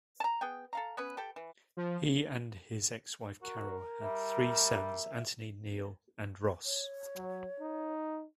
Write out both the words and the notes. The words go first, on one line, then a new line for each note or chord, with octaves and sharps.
He and his ex-wife Carol had three sons Anthony, Neil, and Ross.
A5 A#5
B3 G#4 G5
A4 F5 A#5
B3 C#4 B4
G4 A4 G5
E3
F3
F#4 A#4
G3 E5
C#5
F#3
D#4